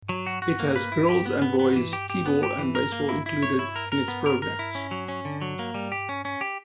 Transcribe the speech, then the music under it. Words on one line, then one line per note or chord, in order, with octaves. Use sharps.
It has girls' and boys' T-ball and baseball included in its programs.
F#3
F#4
F#4
A#3
B4
E4
G4
B3
B3
B3
E3
G4
G4
B3
G4
E3
A#4
A#3
E4
E4
C#5
E4
A#4
A#4
B3
A#4
A#4
E4
C#4
F#3
C#4
D3
F#3
A#3
G3
G4
C#4
C#4
G4